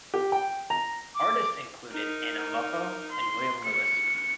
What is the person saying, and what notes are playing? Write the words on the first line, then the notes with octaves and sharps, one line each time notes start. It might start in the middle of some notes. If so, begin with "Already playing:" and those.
Artists included Anna Moffo and William Lewis.
G4
G5
A#5
D6
D#4 A#4
C6
C#7